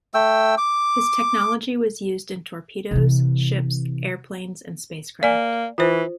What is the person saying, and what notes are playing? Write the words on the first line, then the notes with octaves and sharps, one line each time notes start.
His technology was used in torpedoes, ships, airplanes, and spacecraft.
A3 G5 E6
D6
C3 E3
A#3 D5 G#5
E3 F4 C5